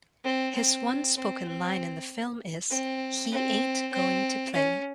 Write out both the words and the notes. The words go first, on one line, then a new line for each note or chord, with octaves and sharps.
His one spoken line in the film is, He ain't going to play.
C4
C4
C4
C4
C4
C4
C4
C#4